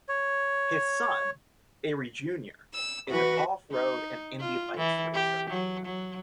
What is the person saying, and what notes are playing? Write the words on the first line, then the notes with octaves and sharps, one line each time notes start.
His son, Arie Junior is an off-road and Indy Lights racer.
C#5
E6
E3 F#4 B4
D#4
F4
E3
G4
F#3
F#3